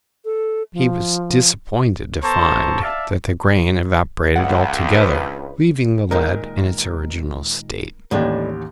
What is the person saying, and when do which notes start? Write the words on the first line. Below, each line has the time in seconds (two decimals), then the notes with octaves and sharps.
He was disappointed to find that the grain evaporated altogether, leaving the lead in its original state.
0.25 A4
0.73 F3
2.23 B3 A4 C5 A5 A#5 C#6
2.83 D5 E5 F5 A5
4.36 C#2 F#5
4.90 D4 B4
6.11 A#2 D#3 G#3 A#4
8.11 A1 D#2 A2 G#3 D4 G4